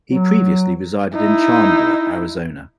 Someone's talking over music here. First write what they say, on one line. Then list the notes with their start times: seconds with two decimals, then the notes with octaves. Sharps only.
He previously resided in Chandler, Arizona.
0.11 F#3
1.14 D#4 E4